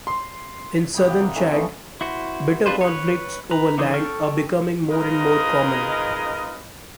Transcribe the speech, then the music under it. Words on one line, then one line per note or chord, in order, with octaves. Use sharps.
In southern Chad, bitter conflicts over land are becoming more and more common.
C6
G4 D#5 B5
C3 G4 F5 F#5
A#4
D3 E3 C4 C#4
F3 A3 B3
E4 F#4 C5
C4 D4 F4 B4 C5
B4 C#5
B4 A#5
D3 E3 D#4 G#4 C5
A4 G5 C#6 F6
D#4 F4 G#4 A#4 B4 D#5